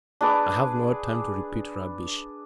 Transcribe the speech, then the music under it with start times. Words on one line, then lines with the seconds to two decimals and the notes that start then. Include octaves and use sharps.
I have no time to repeat rubbish.
0.21 D4 G#4 B4 D6